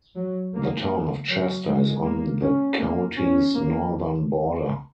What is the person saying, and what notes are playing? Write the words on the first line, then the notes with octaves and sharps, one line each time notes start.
The Town of Chester is on the county's northern border.
F#3
A#3
F#3
G#3
A#3
C#4
A#3
C#4
A#3